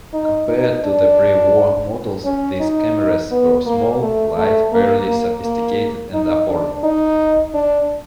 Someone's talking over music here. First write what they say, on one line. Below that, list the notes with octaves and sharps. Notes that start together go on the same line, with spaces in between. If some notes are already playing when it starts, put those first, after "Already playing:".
Compared to the pre-war models, these cameras were small, light, fairly sophisticated and affordable.
D#4
D#4
D4
C#4
D#4
B3
A#3
A3
A3
A#3
A#3
A#3
D#4
D4
D#4
D4